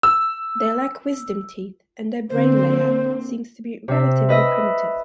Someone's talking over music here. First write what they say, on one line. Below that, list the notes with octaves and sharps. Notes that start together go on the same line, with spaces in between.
They lack wisdom teeth, and their brain layout seems to be relatively primitive.
E6
D3 A#3 C4 C5
C3 E5
B4 D#5 E5